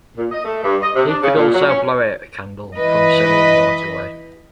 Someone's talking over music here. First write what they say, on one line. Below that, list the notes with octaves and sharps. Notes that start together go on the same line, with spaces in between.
He could also blow out a candle from several yards away.
A#2
D#5
A3
G2
D#5
C3
D4
C#3
A#2
F#3
C#4
E3 B4 D#5